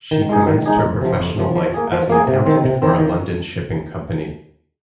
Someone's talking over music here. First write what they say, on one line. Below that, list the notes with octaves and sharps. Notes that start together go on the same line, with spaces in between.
She commenced her professional life as an accountant for a London shipping company.
D#3
G#3 D#4 G#4
D#3
G#3 D#4 G#4
F2
C3 F3
F2
C3 F3
F3
A#3 G#4
F3
A#3 G#4
C3
D#3 C4
C3
D#3 C4
D#3